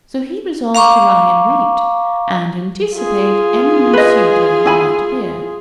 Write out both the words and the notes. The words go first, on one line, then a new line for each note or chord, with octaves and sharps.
So he resolved to lie in wait, and anticipate any new suitor who might appear.
F5 A#5 C#6 D6
F4 G#4
B4 D#5
E4 G#5 B5